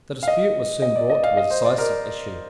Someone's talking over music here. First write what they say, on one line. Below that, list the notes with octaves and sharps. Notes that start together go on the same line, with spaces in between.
The dispute was soon brought to a decisive issue.
F5
D#5
D#5
D5
D#5
F5
D#5
C5
D5
A#4